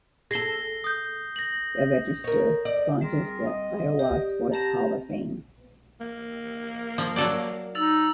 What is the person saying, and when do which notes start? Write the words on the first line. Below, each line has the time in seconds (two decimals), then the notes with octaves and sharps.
The "Register" sponsors the Iowa Sports Hall of Fame.
0.31 G#4 A4 A#6 C7 G7
0.84 D#6 G6
1.36 A#6 F#7
2.24 A#4 C#5
2.65 D5
3.01 G3 C4 F4 G#4 A#4 C6
3.45 D#5
3.99 G4 D5
4.52 C4 G4 F#5 A5 A#5
6.00 A#3
6.98 F3
7.16 F#3 A4 D5
7.75 D#4 E6 A6 F7